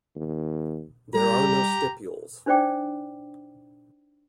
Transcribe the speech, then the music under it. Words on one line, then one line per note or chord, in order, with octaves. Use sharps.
There are no stipules.
D#2
G3 G4 A#5
D4 D#4 C5 D5 G5 D6